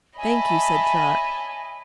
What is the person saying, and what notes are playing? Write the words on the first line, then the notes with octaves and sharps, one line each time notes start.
"Thank you," said Trot.
C#5 D#5 E5 G#5 A5 B5